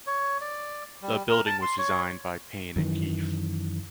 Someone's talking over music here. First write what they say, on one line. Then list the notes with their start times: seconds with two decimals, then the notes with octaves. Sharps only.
The building was designed by Payne and Keefe.
0.07 C#5
0.41 D5
1.02 G3
1.29 A#4
1.46 A5
1.62 C6
1.78 C#5
2.76 F#2 D#3 E3